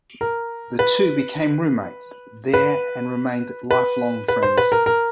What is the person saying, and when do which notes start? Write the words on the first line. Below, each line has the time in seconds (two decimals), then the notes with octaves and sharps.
The two became roommates there and remained lifelong friends.
0.21 A#4
0.79 B4
2.54 B4
3.71 B4
4.28 B4
4.43 C5
4.58 B4
4.72 A#4
4.86 A#4